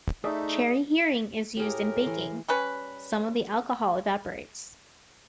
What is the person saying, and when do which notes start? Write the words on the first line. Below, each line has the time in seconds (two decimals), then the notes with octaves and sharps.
Cherry Heering is used in baking; some of the alcohol evaporates.
0.24 A3 D#4 G#4 D5 E5
1.57 A2 G4 G#4 A#4
2.03 E3 C6
2.48 G3 C#4 B4